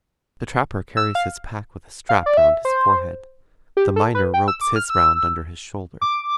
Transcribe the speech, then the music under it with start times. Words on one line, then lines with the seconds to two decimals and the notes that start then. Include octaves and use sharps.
The trapper carries his pack with a strap round his forehead. The miner ropes his round under his shoulders.
0.97 E6
1.15 F5
2.09 F5
2.26 D5
2.37 E5
2.65 C5
3.77 G4
3.96 A4
4.15 B4
4.34 G5
4.48 E6
4.61 D6
4.76 F6
4.90 E6
6.01 D6